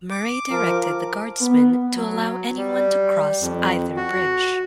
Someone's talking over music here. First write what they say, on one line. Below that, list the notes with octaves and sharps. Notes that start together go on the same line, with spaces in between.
Murray directed the guardsmen to allow anyone to cross either bridge.
D6
F3 A#4
B3
F#3
G3
F2
F#4